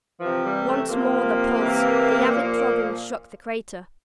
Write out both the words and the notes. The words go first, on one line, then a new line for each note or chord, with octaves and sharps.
Once more the pulse, the avid throbbing shook the crater.
C3 E3 F3
G3
A3
C3 F3 A#3
C3 E3
A#2 F3